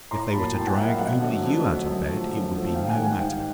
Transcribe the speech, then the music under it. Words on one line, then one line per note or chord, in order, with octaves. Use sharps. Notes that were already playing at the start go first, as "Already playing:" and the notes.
If they were to drag only you out of bed, it would be no matter.
A2 A#5 C6
F#3 A#3 A5 B5
A2 G5 A5
F#5 G#5
F#3 A#3 E5 F#5
D#5 F5
F2 E5 F#5
D3 F#3 A3
F2
D3 F#3 A3
F#2
D3 F3 A3
F#2
D3 F3 A3
G#2 F5 G5
F#5 G#5
D#3 G3
F#5 G#5
G#2 F5 G5